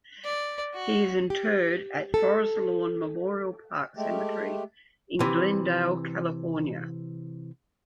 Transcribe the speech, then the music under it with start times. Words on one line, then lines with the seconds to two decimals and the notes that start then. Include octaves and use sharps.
He is interred at Forest Lawn Memorial Park Cemetery in Glendale, California.
0.24 D5
0.74 F#4
1.30 G4
2.14 A4
3.97 G#3 A3 G4
5.20 C3 E3